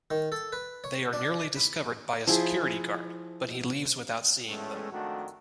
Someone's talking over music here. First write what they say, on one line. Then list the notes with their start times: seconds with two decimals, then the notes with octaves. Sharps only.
They are nearly discovered by a security guard, but he leaves without seeing them.
0.11 D#3
0.32 A4
0.52 B4
0.84 C#5
1.13 D4
1.56 B5
2.27 F3 E4 G#4
4.47 E2 A2 G#3 A3 C#4 A4
4.92 F2 D#3 A3 D4 F#4